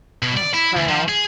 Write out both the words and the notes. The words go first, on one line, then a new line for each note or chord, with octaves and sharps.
Oh, wow.
B2
D5
E4
D2
F3
G#4